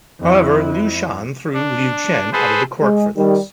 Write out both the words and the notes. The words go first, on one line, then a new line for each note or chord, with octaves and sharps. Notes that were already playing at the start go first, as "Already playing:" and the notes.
However, Liu Shan threw Liu Chen out of the court for this.
F2 E4
D4
G#4 A4 B4 C5
G#3
D#3 G3